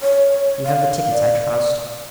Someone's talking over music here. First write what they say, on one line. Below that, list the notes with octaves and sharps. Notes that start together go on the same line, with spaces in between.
You have the tickets, I trust?
C#5
F5
D5